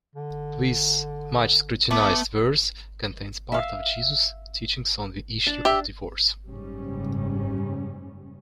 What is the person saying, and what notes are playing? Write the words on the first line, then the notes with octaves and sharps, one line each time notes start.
This much scrutinized verse contains part of Jesus' teachings on the issue of divorce.
D3
A3 B3 D6
E5 F5
D4 A5
G4 E5
F#1 G#2 C#3 G3 C#4